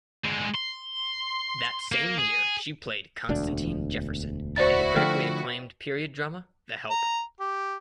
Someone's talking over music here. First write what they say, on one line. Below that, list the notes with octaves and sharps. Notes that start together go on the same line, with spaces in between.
That same year she played Constantine Jefferson in the critically-acclaimed period drama "The Help".
D3 G#3
C6
A#3
G#4
E1 D2 D4
E4 F#4 C5 D5 A6
D3 F3 A3 G5 F6
A#5
G4